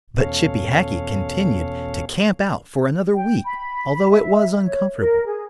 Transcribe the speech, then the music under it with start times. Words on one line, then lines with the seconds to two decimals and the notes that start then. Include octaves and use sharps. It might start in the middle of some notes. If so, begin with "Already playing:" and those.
But Chippy Hackee continued to camp out for another week, although it was uncomfortable.
0.19 E2 B2 C#4 A4 C#5 F5
3.15 G5
3.44 B5
4.11 E5
4.64 C#5
4.96 A#4
5.26 G#4